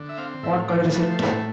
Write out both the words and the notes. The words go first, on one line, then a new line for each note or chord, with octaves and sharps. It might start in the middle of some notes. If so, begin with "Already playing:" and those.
What color is it?
Already playing: D3
E5
C4 F5
A2 E5
F3 D5
A3 B4
C5
A2 B4
C5